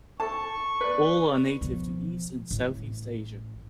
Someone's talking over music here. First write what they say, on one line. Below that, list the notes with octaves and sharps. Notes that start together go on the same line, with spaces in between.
All are native to east and southeast Asia.
A4 A5 C#6
B4 D5
B1 F3
A1